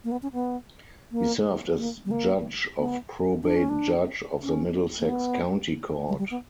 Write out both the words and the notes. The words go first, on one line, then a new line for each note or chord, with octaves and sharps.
He served as judge of probate judge of the Middlesex County Court.
A#3
B3
C#4
B3
A#3
A#3
G3
A#3
B3
D4
C#4
D4
C#4
A#3
B3
G3
G3
B3